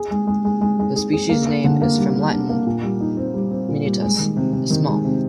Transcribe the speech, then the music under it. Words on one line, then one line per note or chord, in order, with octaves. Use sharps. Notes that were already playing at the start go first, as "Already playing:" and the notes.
The species name is from Latin "minutus", "small".
Already playing: G#4
G#3
G#3
G#3
G#3
G#3
G#4
G#4
A#3
A#3
D3
A#3
G3
G3
D4
A#3
A#2
G3
D#4
C4
G3
C4
A#2
G3
G#3
D#3
C3
C3
D#3
G#3
C3